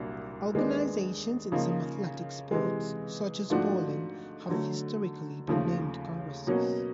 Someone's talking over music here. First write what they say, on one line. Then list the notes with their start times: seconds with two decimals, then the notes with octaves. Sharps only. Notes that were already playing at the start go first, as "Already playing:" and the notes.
Organizations in some athletic sports, such as bowling, have historically been named "congresses".
Already playing: C2 A#2 F#3 A#3 D4
0.53 D#2 D#3 G#3 B3 D4
1.52 C#3 F3 A#3 D#4
2.51 C3 E3 G#3
3.50 G#2 F3 A3 D4 F#4
4.49 D3 F#3 A3
5.47 D#2 C#3 F3 A3
6.47 B2 F#3 A#3 C#4 F#4